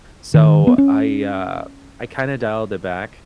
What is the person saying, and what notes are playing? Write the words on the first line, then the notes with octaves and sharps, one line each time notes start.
so I, uh, I kinda dialed it back,
D#3
B3
C#4